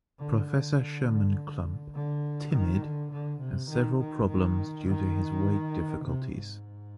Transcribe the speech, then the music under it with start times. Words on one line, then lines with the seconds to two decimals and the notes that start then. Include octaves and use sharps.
Professor Sherman Klump, timid, has several problems due to his weight difficulties.
0.19 D3
0.49 D3
1.94 D3
2.53 D#3
2.82 D3
3.12 D3
3.40 C3
3.70 D#3
3.99 D#3
4.28 D#3
4.88 D#3
6.04 C3
6.34 G#2